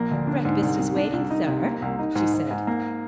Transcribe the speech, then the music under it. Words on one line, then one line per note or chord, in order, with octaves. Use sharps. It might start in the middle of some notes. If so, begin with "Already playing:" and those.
"Breakfast is waiting, sir," she said.
Already playing: A#1 A#3
D2
D4
G#2
C2
C2
D4
C2
D#4
C3
A#3
C2
D#4
G#2
G#2
G#2
A#3